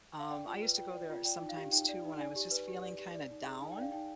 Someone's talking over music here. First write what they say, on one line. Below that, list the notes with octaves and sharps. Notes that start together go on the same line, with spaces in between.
um, I used to go there sometimes too when I was just feeling kinda down,
F5
D5 G5
F4
B4
F4 G5
D5
F4
D5 G5
D#4
F5
G4
D#4 G5
D5
D#4
D5 G#5
G4
B4
G4
D5
G4
D5
D#4
G#4
D#4 G#5
G5
D5 F5
D#4 G5